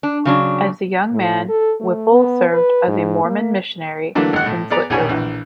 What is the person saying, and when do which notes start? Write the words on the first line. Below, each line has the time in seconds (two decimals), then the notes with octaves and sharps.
As a young man, Whipple served as a Mormon missionary in Switzerland.
0.03 D4
0.25 C#3 F#3 D4
1.13 A2
1.49 A4
1.81 A3
2.12 B3
2.53 B4
2.88 G#2
3.25 A#3
4.15 D3 E3 F#3 A3 A#3 D4
4.33 G#1 F#5
4.46 A2
4.70 B3 G#4 D5 A#5
4.90 A#1 B2 G4 C#5 G#5
5.09 A#1 E3